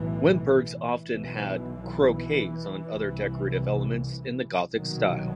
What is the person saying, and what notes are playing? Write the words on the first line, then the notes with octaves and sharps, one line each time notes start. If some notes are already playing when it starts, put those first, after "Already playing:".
Wimpergs often had crockets or other decorative elements in the Gothic style.
Already playing: B1 A2 E3
B1 B2 E3
C2 C3
C2 B2 D#3 F#3